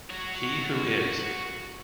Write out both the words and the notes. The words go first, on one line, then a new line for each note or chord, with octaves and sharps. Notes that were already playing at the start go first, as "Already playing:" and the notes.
"He Who Is".
F#4 C#5